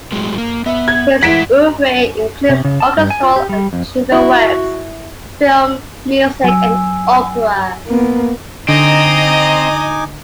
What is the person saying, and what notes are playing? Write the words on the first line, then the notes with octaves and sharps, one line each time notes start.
His oeuvre includes orchestral and chamber works, film music and operas.
A2 F#3 G#3
A#3
B3 E5
G#6
A2 E3 G#3 E4 F#5 B6 D7 E7
C3
C#3
A5
G2
G#5
F4
G4
G3
F2
E4 F#4
F#3 G#5 E6
A#3 B3
D3 C4 D#4 D#5 G#5 A#5 D6